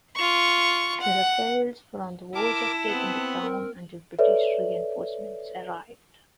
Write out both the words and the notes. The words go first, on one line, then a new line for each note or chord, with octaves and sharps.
The rebels were on the verge of taking the town until British reinforcements arrived.
F4 C#6
F#5
E4 A#4 A5 D6
B3 C4 F#5
A#4
A4 B4 C#5 D5 E5